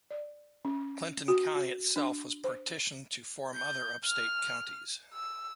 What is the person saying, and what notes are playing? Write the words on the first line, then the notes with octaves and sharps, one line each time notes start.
Clinton County itself was partitioned to form other upstate counties.
D5
C#4
F#4
F#4
D4
C5
G6
F6
E6